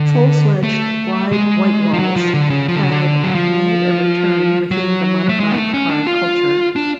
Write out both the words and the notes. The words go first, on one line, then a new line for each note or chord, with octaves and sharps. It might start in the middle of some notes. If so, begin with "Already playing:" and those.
Full-fledged wide whitewalls had made a return within the modified car culture.
Already playing: D3
A3
G#3
F3
F#3
F3
D3
C#3
F3
D3
C#3
D3
F#3
F3
F#3
A3
G#3
B3
A3
C#4
D4
F4
D4